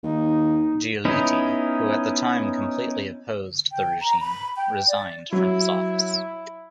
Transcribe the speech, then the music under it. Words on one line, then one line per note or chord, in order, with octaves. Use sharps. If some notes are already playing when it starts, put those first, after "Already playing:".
Giolitti, who at the time, completely opposed the regime, resigned from his office.
D#2 D#4
B3 C#4 D#4 E4
G5
A#5
B5
G5
D5
F#3 E4